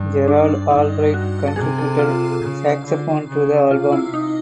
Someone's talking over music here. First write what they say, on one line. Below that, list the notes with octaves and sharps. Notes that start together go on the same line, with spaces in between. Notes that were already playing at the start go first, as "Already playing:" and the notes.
Gerald Albright contributed saxophone to the album.
Already playing: G2
D4
G2 D#4
F#4
A4
C3 G#4
A4
F4
C#3
D3
C#3
C3 F4
E4
D#4